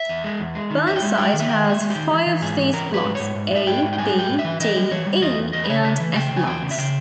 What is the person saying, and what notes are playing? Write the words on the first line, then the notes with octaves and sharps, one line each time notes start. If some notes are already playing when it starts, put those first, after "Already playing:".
Burnside has five of these blocks: A, B, D, E and F blocks.
Already playing: E5
E2
G#3
E2
G#3
D#3
E2 E5
G5
G#3 E5
G#3 G5
D#3
E5
D#3 G5
G#3
E5
G#3
G4
D#3
E3
E3
G#2 G#4
E3
E3 A#4
G#2 B4
G#2
G#2 C#5
G#2
G#2 E5
G#2 G5
G#2
G5
G3 G#5
G#2
G5
G#2
E5
E3
E3 D#5
G3
E3 C#5
G3
E2 D#5
E2
E2 D#5
B4
C#3 C#5
C#3 E5
E3
C#3 G5
C#3
G#5
E2 G5
C#3
E5
C#3 G5